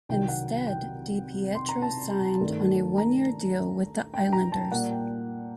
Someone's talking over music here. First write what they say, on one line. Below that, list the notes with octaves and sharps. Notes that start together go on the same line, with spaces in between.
Instead, DiPietro signed on a one-year deal with the Islanders.
C2 C3 D#3 F#3 G5
F#5
G5
C6
A#5
A5
G2 D#3 A3
A#5
G5
A#5
A5
A#2 G3 A#3 F#5
G5